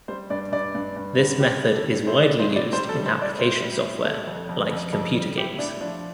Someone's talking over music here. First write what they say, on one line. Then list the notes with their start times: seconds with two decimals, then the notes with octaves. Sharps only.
This method is widely used in application software like computer games.
0.08 G3 C5
0.30 G2 D5
0.52 G2 D5
0.75 G2
0.96 G2
1.18 D3
1.40 G3 G4
1.62 A2
1.74 A4
1.84 G3
2.07 A2 C5
2.22 D5
2.28 A2
2.40 C5
2.50 A2
2.56 D5
2.73 G3 C5
2.89 A4
2.95 G3
3.06 C5
3.17 A2
3.22 D5
3.38 A2 C5
3.60 G3
3.83 A2
4.04 G3 A4
4.27 F2
4.49 F2
4.71 F2
4.93 F2
5.14 G3
5.37 A2 G4
5.59 A2 D4
5.81 F3 D4